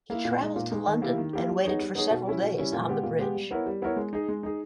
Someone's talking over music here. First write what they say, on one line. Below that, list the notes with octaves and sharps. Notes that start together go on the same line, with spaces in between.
He travelled to London, and waited for several days on the bridge.
A#3 E4
A#2
G#3 D#4
A#2
G#3 D#4
D#3
A#3 E4 G4
D#3
A#3 E4 G4
G3
B3 D#4 G#4 C#5
G3
B3 D#4 G#4 C#5
B2
G3 C#4 E4
B2
G3 C#4 E4
A#2
G#3 B3 G4
A#2
G#3 B3 G4
G3
B3 E4 A#4 C#5
G3
B3 E4 A#4 C#5
G#3
D#4 G#4
G#3
D#4 G#4